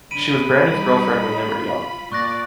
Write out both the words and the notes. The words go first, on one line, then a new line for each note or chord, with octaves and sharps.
She was Brandon’s girlfriend when they were young.
D3 B5 D7 D#7
G3 D#4
F4
A#2 D5 C#6 F#6 A#6